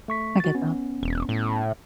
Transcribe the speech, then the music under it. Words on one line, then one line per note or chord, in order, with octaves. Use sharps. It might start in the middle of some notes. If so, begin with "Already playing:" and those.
I get that.
A3 C#6 B6
F#4 A6
B3 C#4
E1
A2